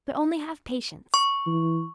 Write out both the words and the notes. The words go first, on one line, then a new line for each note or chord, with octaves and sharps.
But only have patience!
C#6
E3